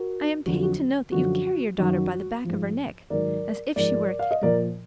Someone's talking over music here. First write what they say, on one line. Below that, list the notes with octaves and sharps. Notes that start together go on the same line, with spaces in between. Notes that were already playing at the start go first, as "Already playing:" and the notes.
I am pained to note that you carry your daughter by the back of her neck, as if she were a kitten.
Already playing: F#4 A#4
F2 D3 F#3 F#4
F4
F#4
F#2 D3 F3 F#4
F#2 D#3 F#3 F#4
G#2 F3
G#2 D#3 F#3 A#4 D5
G#2 F3 A#4 D5
F5
D#5
A#2 F3 A#4 D5